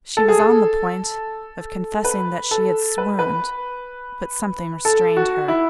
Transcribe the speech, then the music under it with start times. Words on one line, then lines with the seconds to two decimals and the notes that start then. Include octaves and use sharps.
She was on the point of confessing that she had swooned, but something restrained her.
0.17 A4
0.28 G#4
0.39 A4
2.04 B4
2.51 A4
2.98 B4
3.19 B4
4.85 A4
5.17 F#4
5.48 E4